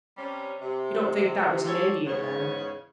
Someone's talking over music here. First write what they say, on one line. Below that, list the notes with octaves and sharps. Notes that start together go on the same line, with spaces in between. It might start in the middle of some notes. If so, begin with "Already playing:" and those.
"You don't think that was an Indian, then?"
C3 G3 C#4
C3
G#2 G4 A4 C#5
E2 G#2 C#3 C#5